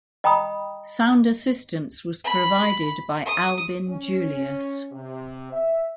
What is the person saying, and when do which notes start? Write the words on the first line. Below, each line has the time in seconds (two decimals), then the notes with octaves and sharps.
Sound assistance was provided by Albin Julius.
0.24 D#5 G5 A#5 B5 D#6
2.24 B5
3.26 D#6
3.89 C#4
4.92 C3
5.53 E5